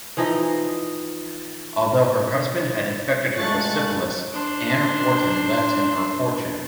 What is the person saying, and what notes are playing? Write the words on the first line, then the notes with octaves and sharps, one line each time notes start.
Although her husband had infected her with syphilis, Anne Wharton left him her fortune.
E3 F3 D#4 D#5
G#3 A3 F4 C#6 F#6 A6
D4 C5